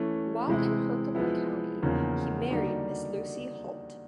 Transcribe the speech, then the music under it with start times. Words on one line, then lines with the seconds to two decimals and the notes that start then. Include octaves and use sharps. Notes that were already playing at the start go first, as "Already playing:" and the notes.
While in Herkimer County, he married Miss Lucy Hult.
Already playing: E3 A3 C#4
0.47 C3 E3 G#3 C4 E4
1.15 F3 G#3 B3 E4
1.83 E2 C#3 F3 A#3 D#4
2.51 D3 G3 A#3 D#4 F#4